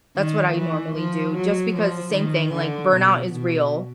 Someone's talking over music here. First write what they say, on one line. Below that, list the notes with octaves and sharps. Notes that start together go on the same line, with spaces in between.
That's what I normally do just because the same thing, like, burnout is real,
D#3
E3
F3
F#3
F3
D#3
D3
B2
B2